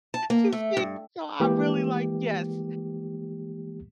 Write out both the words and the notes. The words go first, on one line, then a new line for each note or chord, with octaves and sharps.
to see so I really like yes,
A5
A#3
A3
G2
E3 G#3 A#3 G4